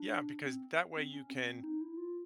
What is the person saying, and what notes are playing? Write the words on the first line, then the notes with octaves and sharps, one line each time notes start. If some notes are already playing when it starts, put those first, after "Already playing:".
Yeah, because that way you can
Already playing: D4
C4
C4
C#4
C4
D#4
E4
F4